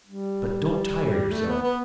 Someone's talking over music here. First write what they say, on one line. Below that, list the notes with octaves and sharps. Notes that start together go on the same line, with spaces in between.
But don't tire yourself.
G3
A3
B3
B3